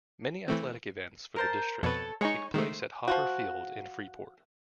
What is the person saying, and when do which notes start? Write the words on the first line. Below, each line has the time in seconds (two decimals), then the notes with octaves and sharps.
Many athletics events for the district take place at Hopper Field in Freeport.
0.48 E3 A3 C4
1.36 A#4 C5 A5
1.83 F2 B2 A4 B4 C#5
2.21 G#3 D#4 C#5 G#5 C#6
2.54 D#3 G#3 A3 C5
3.08 F3 F4 F#4